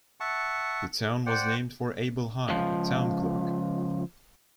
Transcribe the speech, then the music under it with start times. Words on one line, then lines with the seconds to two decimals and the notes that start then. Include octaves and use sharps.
The town was named for Abel Hine, town clerk.
0.20 E5 F#5 A5 C#6
1.26 C5 D5 F#5 G5
2.49 C#2 F3